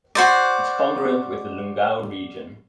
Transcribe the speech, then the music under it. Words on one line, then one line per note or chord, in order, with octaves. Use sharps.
It is congruent with the Lungau region.
F#4 C5 D5